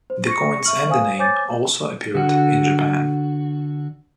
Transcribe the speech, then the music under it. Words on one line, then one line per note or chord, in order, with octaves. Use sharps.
The coins and the name also appeared in Japan.
C5
C#6 A#6 C#7
E5 C#6 F6 F#7
A#4 C5 F5 G#5 D#6
C5 C#5 G#5 D6 G6 A6
D3 F#4